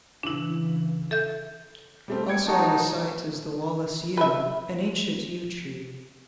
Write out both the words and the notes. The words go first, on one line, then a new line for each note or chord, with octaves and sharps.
Also on the site is the Wallace Yew, an ancient Yew Tree.
C#3 E3 D4 E4
A4 E5 G6
G3 A3 C4
G5 G#6 C#7
D#4 F#4 A5
B4 E5